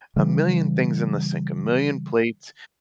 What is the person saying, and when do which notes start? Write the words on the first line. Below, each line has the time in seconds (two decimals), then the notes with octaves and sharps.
a million things in the sink a million plates,
0.16 C#3 E3 G3